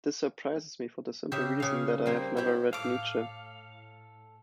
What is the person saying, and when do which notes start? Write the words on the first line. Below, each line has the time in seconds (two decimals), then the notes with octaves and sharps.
This surprises me, for the simple reason that I have never read Nietzsche.
1.32 C#3 G4 E5
1.60 C#3 F5
2.06 G3 A#3 C4
2.37 E4 G4
2.73 A2 A4 F5 D6